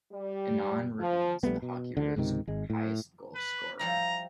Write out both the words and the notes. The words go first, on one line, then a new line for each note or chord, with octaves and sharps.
Annan remains the Hockeyroos highest goal scorer.
G3
F3
A#1 G3 A3 B3
B2
D2 D3
C#2 G#2 C3 D#3
G#1 G#3
A2
B4
F3 G3 E4 A#5